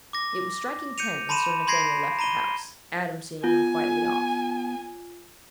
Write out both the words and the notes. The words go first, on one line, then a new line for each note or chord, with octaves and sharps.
It was striking ten when Sir Nathaniel left the house, Adam seeing him quietly off.
D6 A#6
G6 C#7 D#7 F7
A5 B5 C6 D#7 E7
B5 C6 G#6 A#6 C7 D7
A#5 B5 D#7 G7
B3 F4 G#5